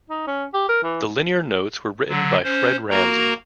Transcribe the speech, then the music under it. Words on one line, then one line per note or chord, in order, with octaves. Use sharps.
The linear notes were written by Fred Ramsey.
D#4
C#4
G4
A#4
E3
D3 F#3
C#4 C5
A#3 F#4 A#4 A#5